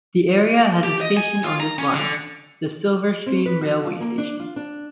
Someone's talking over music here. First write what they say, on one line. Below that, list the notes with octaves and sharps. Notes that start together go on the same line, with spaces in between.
The area has a station on this line; the Silverstream Railway Station.
G4
D#5
G#5
F4
A#5
C#4
D3
C4
B4
F#4
F3
A#3
D4
F4
D4